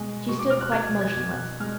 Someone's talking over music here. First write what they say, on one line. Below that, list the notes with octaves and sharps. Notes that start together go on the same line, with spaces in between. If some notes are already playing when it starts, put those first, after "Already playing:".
She stood quite motionless.
Already playing: B2 G#3
B2 C#6
D6
F6
F#6
B2 G#6
G#6
B2
F#6
G#3 F6